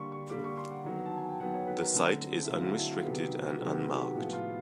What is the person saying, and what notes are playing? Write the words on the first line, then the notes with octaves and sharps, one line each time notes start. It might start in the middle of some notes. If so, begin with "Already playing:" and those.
The site is unrestricted and unmarked.
Already playing: D3 G3 A#3 C6 C#6
C#6
D3 G3 A#3 D6
C#6
C6
F#5
D#3 F#3 B3
A5
G#5
G5
D#3 F#3 B3 F#5
C#5
B4
A#4
D3 F#3 A3 C4 A4
A4
G#4
E4
D3 F#3 A3 C4 F4
F#4
F4
E4
F4
C3 D#3 F#3 B3 G4
C3 D#3 F#3 B3 G4
G#4
F#4
G4
A2 F3 G#3 B3 F#4
F4